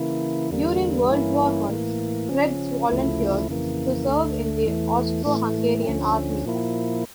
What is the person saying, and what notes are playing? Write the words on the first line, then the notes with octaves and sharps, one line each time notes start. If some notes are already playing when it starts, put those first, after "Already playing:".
During World War One Krebs volunteered to serve in the Austro-Hungarian Army.
Already playing: C#3 E3 A#3 E4
E2 D3 G3 A#3
G2 E3 A#3 C#4 E4
A2 E3 A#3
C#3 F3 C#4
D2 C#3 F3 A3 E4
F2 C#3 E3 A#3
D2 D3 A3
E2 E3 A3
A2 E3 A3
D2 D3 F3 C#4
A#2 F3 A#3 E4